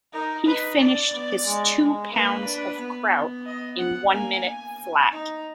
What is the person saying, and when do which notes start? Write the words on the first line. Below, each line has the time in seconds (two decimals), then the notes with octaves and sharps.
He finished his two pounds of kraut in one minute flat.
0.13 D#4 A#4
0.46 D#4 B4
0.79 D4 D5
1.13 B3
1.46 G#3
1.78 G#3
2.12 A#3 B4
2.45 D4
2.79 B3
3.45 D#5
3.78 F#5
4.11 A#3 G#5
5.11 D#4